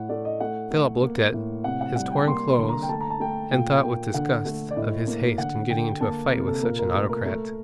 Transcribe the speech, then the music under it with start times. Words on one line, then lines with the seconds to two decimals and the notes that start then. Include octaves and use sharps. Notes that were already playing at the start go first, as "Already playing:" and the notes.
Philip looked at his torn clothes, and thought with disgust of his haste in getting into a fight with such an autocrat.
Already playing: A2 F#5
0.09 A3 D5
0.25 D#5
0.40 A3 F#5
0.71 A3
1.02 A#3
1.33 A2
1.64 C3 F#5
1.81 F#5
1.96 G3 F#5
2.12 G5
2.27 A#3 C6
2.48 C6
2.58 D3
2.69 A#5
2.82 G5
2.89 A3 A5
3.01 A#5
3.10 A5
3.20 A3 G5
3.51 A#2 G5
3.82 A#3 G5
4.14 D3 F#5
4.45 A3
4.71 D5
4.76 A2 D#5
5.07 A#3
5.38 D3 F#5
5.70 D3 G5
6.01 A#3 A5
6.31 C3 A#4
6.48 A4
6.63 A#2 A#4
6.79 A#4
6.94 A3 A4
7.09 A#4
7.26 A3